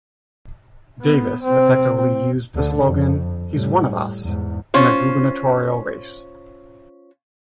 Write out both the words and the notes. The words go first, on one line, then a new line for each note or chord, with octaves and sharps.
Davis effectively used the slogan "He's One of Us" in the gubernatorial race.
B3
C3 C4
C4
D2 D3
F2
A2 G3
E2 G#2
C#4 F4 C5